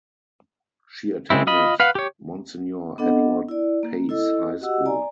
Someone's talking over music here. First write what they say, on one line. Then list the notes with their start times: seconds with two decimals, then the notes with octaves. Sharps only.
She attended Monsignor Edward Pace High School.
1.30 C#3 G#3 C4 E4
1.47 F4 D#5 B5
1.80 B4 F5 F#5
1.95 G4 C#5
2.98 B3 C4 D4 A4 D#5 F#5
3.49 E4 D5
3.83 A#3
4.09 E4 A4 D#5 E6
4.61 F#4 G4 D#5 F#5 E6
4.86 D5 G#5 A#5